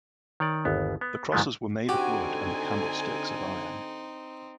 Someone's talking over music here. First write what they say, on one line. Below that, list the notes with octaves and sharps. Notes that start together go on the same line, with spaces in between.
The crosses were made of wood and the candlesticks of iron.
D#3 C#5 D5
G1 D#2 B3
B3
G#2 D#3 F3 G#3 A3 B3
D3 C4 D#4 F#4 G4 G#5